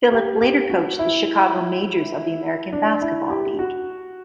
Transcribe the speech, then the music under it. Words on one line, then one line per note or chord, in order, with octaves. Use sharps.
Phillip later coached the Chicago Majors of the American Basketball League.
G4
G4
F#4
E4
D4
E4
G4
F#4